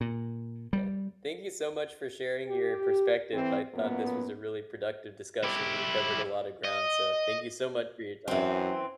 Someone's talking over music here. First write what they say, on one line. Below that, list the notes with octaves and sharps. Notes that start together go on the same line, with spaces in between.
Yeah. Thank you so much for sharing your perspective. I thought this was a really productive discussion; we covered a lot of ground, so thank you so much for your time.
A#2
G3
G4
E3 C4
F#2 A#2 A#3 B3
E4 G4
D#5
F#2 E3 C4